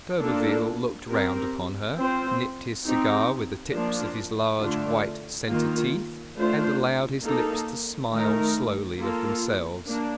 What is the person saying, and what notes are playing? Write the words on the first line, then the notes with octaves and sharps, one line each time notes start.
D'Urberville looked round upon her, nipped his cigar with the tips of his large white centre-teeth, and allowed his lips to smile slowly of themselves.
A#3 D4 F4 A4
C4 G4 A#4
C4 F4 C5
C4 D#4 G4
F3 A#3 D4 F4
D3 A3 D4 F4
D#3 A#3 F4
A3 D4 F4 C5
A#3 D#4 A4
D#3 A3 D#4 A#4
A#3 F4 A4
A#3 D4